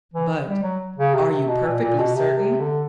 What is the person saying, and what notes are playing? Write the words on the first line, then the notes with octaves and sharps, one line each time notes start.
"But are you perfectly certain?"
E3
G3
F#3
C#3
C3
C3
B2
A#2
A#2
B2
C3
C3
D3